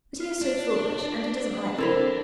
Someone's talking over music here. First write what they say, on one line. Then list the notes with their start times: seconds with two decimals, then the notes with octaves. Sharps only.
But he is so foolish, and he doesn't like me.
0.20 F4
0.42 D4
1.78 C4 E4 A4 A#4 C5 B5